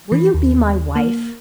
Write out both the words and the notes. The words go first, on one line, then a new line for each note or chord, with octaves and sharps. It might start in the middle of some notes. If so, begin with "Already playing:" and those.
Will you be my wife?
E3
D#2
A#3